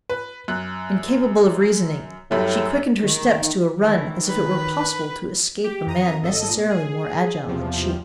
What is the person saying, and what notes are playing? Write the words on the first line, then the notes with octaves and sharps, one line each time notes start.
Incapable of reasoning, she quickened her steps to a run, as if it were possible to escape a man necessarily more agile than she.
B4
F#2 F#6
F#2 A2 G3
D#3
D#3 E3
B4
G4
F2 A#5 D#6
G#1 A4 D#5
A#2
G#4
E2 C3 F3